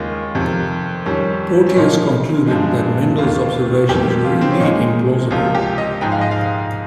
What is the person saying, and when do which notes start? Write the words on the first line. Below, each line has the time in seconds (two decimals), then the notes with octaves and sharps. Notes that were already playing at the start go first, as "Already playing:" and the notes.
Porteous concluded that Mendel's observations were indeed implausible.
Already playing: D#2 C#3 G#3 F4
0.35 F2 C3 D#3
1.06 F2 D#3 G3 C#4
1.66 C#4
1.76 A#2 F3 A#3 D#4
2.47 G2 F3 G#3
3.18 D#2 D#3 A#3 F4
3.89 F2 D#3 G3 G4
4.24 F4
4.41 C4
4.51 C#4
4.60 A#2 G#3 D#4
5.31 C#2 C3 F3 A#3 F4
5.55 G4
5.78 D#5
6.01 G#2 F3 G#3 G5
6.12 F5
6.21 D#5
6.31 F5